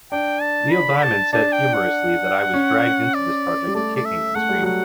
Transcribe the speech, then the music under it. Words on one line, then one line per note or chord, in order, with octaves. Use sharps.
Neil Diamond said humorously that I was dragged into this project kicking and screaming.
D4 G5
A5
B5
B5
A5
D4 A5
G5
F#5
C#4
D5
G3
A3 D5
D5
E5
A3 F#5
G3
F#3 F#5